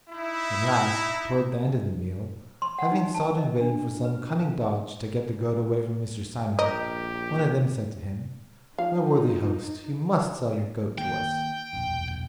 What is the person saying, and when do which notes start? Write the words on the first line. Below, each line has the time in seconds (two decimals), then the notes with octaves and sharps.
At last, towards the end of the meal, having sought in vain for some cunning dodge to get the goat away from Mr. Simon, one of them said to him, 'My worthy host, you must sell your goat to us.'
0.10 D#4 E4
2.62 C6
2.79 F#5
2.92 D#4
3.15 A5
3.38 D#5
3.61 D4
4.05 B4
4.41 F5
6.59 A#1 G4 A#4 D#5
8.78 F3 D#4 F5
10.98 D#3 A#3 G5
11.73 E1 A#1 F#2